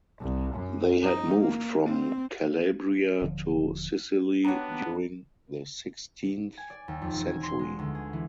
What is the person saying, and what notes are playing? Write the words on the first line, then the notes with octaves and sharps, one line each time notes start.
They had moved from Calabria to Sicily during the sixteenth century.
C2
F#2
D#4
A#3
C4
D#1 D3 F3
B3 D4 F#4 G4 C#5 A#5
G#5
D5
D#2
F2
E1
G#6
C6
G#3
D2
G#4
E3